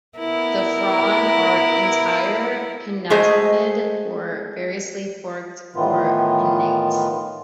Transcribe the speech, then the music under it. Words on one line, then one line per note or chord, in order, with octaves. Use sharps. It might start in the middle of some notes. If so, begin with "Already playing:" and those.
The fronds are entire, pinnatifid, or variously forked or pinnate.
B3 E4 A#4
G#3 A3 F#4 G#4 C5 D#5
A2 D#3 E3 B3 F4